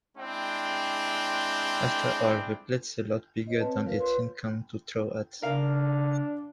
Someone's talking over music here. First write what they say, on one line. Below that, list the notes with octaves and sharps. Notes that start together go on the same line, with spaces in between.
"After all, the plate's a lot bigger than a tin can to throw at".
G#3 C4 D4 E4 G5
B4 C#5 D#5
C4 C#5 A5
F4 A#4 B4 F5
F4 B4 C#5 C6
C#3 D4 A#4 F5